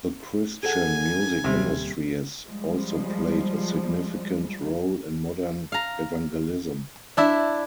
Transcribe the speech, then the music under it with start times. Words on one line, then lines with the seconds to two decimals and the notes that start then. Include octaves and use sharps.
The Christian music industry has also played a significant role in modern evangelism.
0.63 G#4 A4 F#5 G#5
1.44 D#1 C3 G3
2.46 F3 G3 G#3
5.72 F5 A#5
7.17 D4 E4 E5